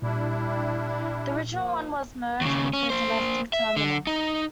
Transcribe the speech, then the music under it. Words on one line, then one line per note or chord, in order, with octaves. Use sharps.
The original one was merged with the domestic terminal.
A#2 G3 D4 E4
F3 A#3
D#2 C#3
C#4
A#3 C5
E5
D3
D#4